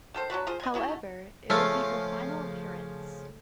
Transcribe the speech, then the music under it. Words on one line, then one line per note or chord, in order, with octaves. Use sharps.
However, it would be her final appearance.
D#3 A4 C5
F#3 D4 F#4 B4
F4 G#4 C5
D#5 G#5
A3 E4 F#4 G#4
C#3 F3 A3 F5